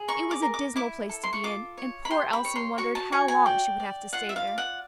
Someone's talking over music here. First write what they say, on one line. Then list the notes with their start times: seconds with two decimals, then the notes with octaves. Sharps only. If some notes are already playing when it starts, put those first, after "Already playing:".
It was a dismal place to be in, and poor Elsie wondered how long she would have to stay there.
Already playing: G#4
0.08 A#4 C#6
0.31 D6
0.42 A#4
0.54 D6
0.76 E4 D6
1.09 A4
1.24 C6
1.33 C#6
1.43 F4 D6
1.78 C#5
2.05 B5
2.11 G4 C6
2.33 B5
2.45 C#5
2.56 C6
2.78 F#4 C#6
2.95 A5
3.12 F#4 G#5
3.28 G#5
3.46 D5 G5
3.80 D5
4.13 F4 F#5
4.29 E5
4.36 F5
4.47 D5
4.58 F#5